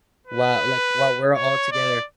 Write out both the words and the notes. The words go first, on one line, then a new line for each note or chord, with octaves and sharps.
while like, while we're all together,
B4
C#5
D5